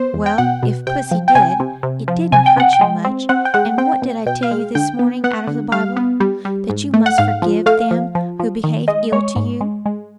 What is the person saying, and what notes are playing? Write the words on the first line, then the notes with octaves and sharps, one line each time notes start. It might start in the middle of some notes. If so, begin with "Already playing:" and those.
"Well, if pussy did, it didn't hurt you much; and what did I tell you this morning out of the Bible?--that you must forgive them who behave ill to you."
Already playing: B3 C5
E2
G5
B2 F#5
B2
C3 G5
F3
G5
C3 G#5
C3
C3
F3
C3 G#5
G5
C3 F#5
G5
G#3
C4
C4 F#5
G5
G#3 F#5
C4 G5
B2
B2 G5
F5
G#3
D3 G5
B3
B3 F#5
D3
G3 F5
B3
G3
G3
G#2
A3
F#5
G#2 F5
F3
A3 F5
F3
F3
F3
D#3
G#3 D#5
G#3 C#5
G#2
G#3
G#3